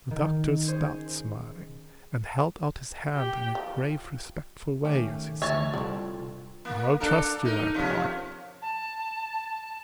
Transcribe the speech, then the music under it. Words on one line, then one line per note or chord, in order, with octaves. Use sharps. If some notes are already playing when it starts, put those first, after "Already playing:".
The doctor stopped smiling, and held out his hand in a grave, respectful way, as he said, 'I'll trust you, my boy.
D#3
C#4 G#4 C5
G4
F3
D#3 A3 C#4 G4
D2 C#5 E5 G#5 A5 C#6
C2 D3 C4 F4
A#3
D4 A4 A#4
D#4 A#4
B2 F3 C#4
A5